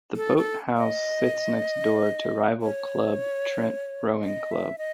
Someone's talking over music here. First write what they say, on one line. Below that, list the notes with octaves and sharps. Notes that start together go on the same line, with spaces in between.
The boathouse sits next door to rival club Trent Rowing Club.
A4
A4
D#5
C#5
D#5
E5
D#5